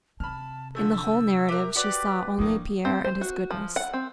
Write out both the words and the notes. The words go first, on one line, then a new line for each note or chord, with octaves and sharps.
In the whole narrative she saw only Pierre and his goodness.
C3 A5 B5 F6
D3 F3 A3 E6
G4 A#4 E5 F#6
F#4 G4 B4 D5
A2 F3 A#3 D4 D#6
C4
C5
F#4
F3
F#5
C4